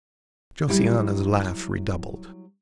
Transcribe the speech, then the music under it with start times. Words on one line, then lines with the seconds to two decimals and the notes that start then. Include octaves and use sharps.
Josiana's laugh redoubled.
0.68 F#3 G3 E4